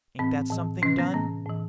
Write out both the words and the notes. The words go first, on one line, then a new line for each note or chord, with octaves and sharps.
Ain't that something done?
A2 E3 C4
A2 E3
C3 E3 C#4
B3
A2 E3 B3
A2 E3